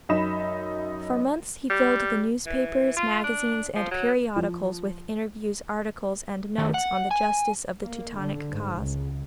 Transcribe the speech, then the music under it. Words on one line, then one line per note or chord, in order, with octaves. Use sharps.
For months he filled the newspapers, magazines, and periodicals with interviews, articles, and notes on the justice of the Teutonic cause.
F#2 D#4 B5 E7
G3
E3
F4
D4
F3
F#3
F3
D#3 A3
F#5
G#5
A#3
D3
G#2
C#2